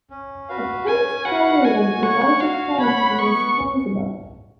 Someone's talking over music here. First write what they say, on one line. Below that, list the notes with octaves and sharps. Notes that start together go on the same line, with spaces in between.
A points failure was later found to be responsible.
C#4
F#4 B4 F5
C#4 G#5
F#4 B4 F5 F#5
F#4 G#5
C#5 F#5 C#6
F#4 F5
C#5 F#5 B5
B3 C#6